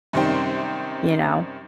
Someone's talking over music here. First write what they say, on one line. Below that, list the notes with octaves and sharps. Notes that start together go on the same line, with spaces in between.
You know?
F#2 C3 D#3 G3 C5 G5